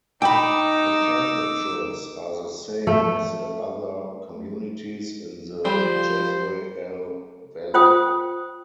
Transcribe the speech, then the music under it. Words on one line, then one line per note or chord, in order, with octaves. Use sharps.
The temperatures are the same as the other communities in the Jezre'el Valley.
D#4 G5 B5 D6 E6
A3
F3 G3 C5
F4 C5 G5 D#6